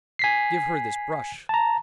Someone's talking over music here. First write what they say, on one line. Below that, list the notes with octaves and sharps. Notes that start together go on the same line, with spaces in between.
Give her this brush.
G#5 B6 C7
A5 A#5